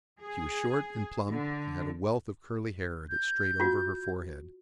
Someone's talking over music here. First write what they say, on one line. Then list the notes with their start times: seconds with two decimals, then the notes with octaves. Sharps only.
She was short and plump and had a wealth of curly hair that strayed over her forehead.
0.22 G#4
1.30 D3
3.10 G6
3.60 F4 F#4